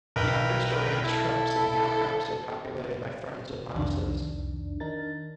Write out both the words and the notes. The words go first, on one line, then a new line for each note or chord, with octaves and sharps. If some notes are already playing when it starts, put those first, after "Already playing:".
The understory has shrubs and the outcrops are populated by ferns and mosses.
B1 A#4 B4 G5
E4 A4
C2 F2 D#3 D4
D#3 D4 D#4 A#4 A6